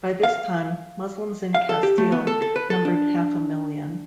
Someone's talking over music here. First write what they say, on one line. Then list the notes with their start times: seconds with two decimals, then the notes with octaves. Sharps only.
By this time Muslims in Castile numbered half a million.
0.23 F5
1.54 F5
1.69 A4
1.83 G4
1.98 A3
2.12 B3
2.27 A4
2.42 A4
2.56 B4
2.70 A4
2.85 D4